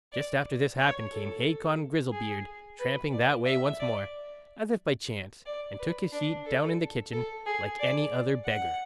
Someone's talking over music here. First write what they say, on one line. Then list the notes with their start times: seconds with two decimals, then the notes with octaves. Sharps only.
Just after this happened, came Hacon Grizzlebeard tramping that way once more, as if by chance, and took his seat down in the kitchen, like any other beggar.
0.12 D5
0.79 C#5
1.12 A4
2.12 G#4
2.79 B4
3.12 D5
3.46 E5
3.79 D5
5.46 D5
5.79 B4
6.13 D4
6.46 A4
7.13 A4
7.46 G#4
7.79 D5
8.45 F#5